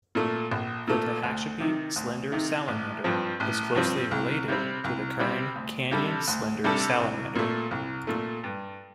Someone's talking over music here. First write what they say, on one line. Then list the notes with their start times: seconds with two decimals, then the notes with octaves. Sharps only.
The Tehachapi slender salamander is closely related to the Kern Canyon slender salamander.
0.15 A#2 A3
0.51 A#1
0.87 A#2 A3
1.23 D2
1.60 C3 D#3
1.96 D2
2.32 C3 D#3
2.68 A1
3.04 G2 F3 C4
3.40 A1
3.75 G2 F3 C4
4.11 C2
4.48 C3 G3 C4
4.84 C2
5.19 C3 G3 C4
5.56 D2
5.91 C3 G3 D4 A4
6.28 D2
6.64 C3 G3 D4 A4
7.00 C2
7.35 A#2 A3
7.71 C2
8.07 A#2 A3
8.43 G2